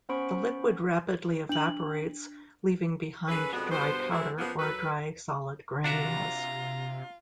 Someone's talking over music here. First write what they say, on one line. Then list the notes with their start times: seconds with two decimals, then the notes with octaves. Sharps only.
The liquid rapidly evaporates leaving behind dry powder or dry solid granules.
0.09 B3 C#4 C5 B5 C#6 D7
1.49 D4 F#7
3.28 C#4 G#4 A4 B4
3.53 F2 B2 D3 G#3 B3 F#4
3.70 G2 B2 B3 C5
4.12 F#3 G#3 A3 C4 E4
4.38 C#3 F3 A#3 B3
4.59 F#3 A4 B4
5.84 C3 D4 F4 F#4 E5 A#5